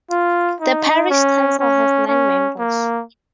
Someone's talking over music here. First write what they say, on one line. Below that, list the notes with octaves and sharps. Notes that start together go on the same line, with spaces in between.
The parish council has nine members.
F4
D#4
C#4
C#4
C#4
A#3